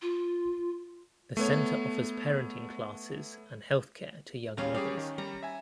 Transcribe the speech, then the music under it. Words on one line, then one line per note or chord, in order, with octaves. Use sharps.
The centre offers parenting classes and health care to young mothers.
F4
A3 B3 C#5
D#2 G3 C#4 G#4 F5 A#5
G3 G4 G#4 F5
D#3
G3 A#5
E5 G#5